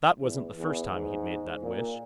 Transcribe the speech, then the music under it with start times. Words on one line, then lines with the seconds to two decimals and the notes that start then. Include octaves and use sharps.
That wasn't the first time he'd made that wish.
0.21 E2
0.57 E2
0.92 G#2
1.63 A#2